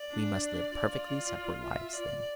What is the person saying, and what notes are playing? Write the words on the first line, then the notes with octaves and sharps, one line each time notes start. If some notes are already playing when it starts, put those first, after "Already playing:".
We must live perfectly separate lives, then.
Already playing: D5
D4
F4
E5
D5